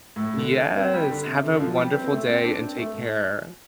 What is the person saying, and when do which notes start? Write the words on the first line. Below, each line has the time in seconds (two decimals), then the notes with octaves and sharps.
Yes, have a wonderful day and take care.
0.16 A2
0.38 D3
0.77 C4
0.94 G3
1.10 D3
1.27 C3
1.43 D3
1.54 D3
1.60 F3
1.77 G3
1.94 C4
2.04 C4
2.10 A3
2.27 C4
2.44 D4
2.61 C4
2.78 A3
2.94 A2